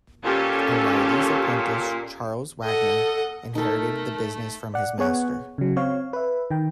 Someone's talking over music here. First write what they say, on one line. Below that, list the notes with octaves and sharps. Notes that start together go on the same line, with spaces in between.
O'Reilly's apprentice Charles Wagner inherited the business from his master.
A#2 C#4 G4 A4
A4 D#5 F#5
A3 D#4 A4 A#4
D5 F#5
B3 G#4 C#5 F#5
C#3 F#3
C4 C#5 F5
B4 E5
D#3 G5